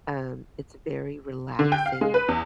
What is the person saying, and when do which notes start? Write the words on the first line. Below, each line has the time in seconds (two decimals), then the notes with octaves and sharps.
um, it's very relaxing,
1.59 D3
1.72 G5
1.86 F5
2.01 G#3
2.14 B4
2.28 E2